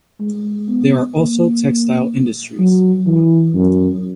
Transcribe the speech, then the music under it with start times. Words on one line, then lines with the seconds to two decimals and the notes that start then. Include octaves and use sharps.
There are also textile industries.
0.20 G#3
0.69 B3
1.16 A#3
2.59 F#3
3.07 E3
3.55 F#2